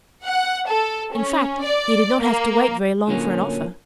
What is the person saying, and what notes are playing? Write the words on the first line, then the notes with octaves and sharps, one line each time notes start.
In fact, he did not have to wait very long for an offer.
F#5
A4
C#4
D5
A#3
A#2 D3 F3 F#3 A#3 C#4